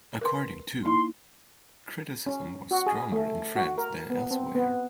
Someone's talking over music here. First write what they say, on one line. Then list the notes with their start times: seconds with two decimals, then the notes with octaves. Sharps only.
According to ', criticism was stronger in France than elsewhere.
0.21 A#4 B4 C6
0.85 A#3 D#4 E4 C6
2.26 C#4
2.71 F#4
2.86 G#4
3.12 A3
3.56 F#4
3.78 A#4
4.10 B3
4.31 C4
4.55 B3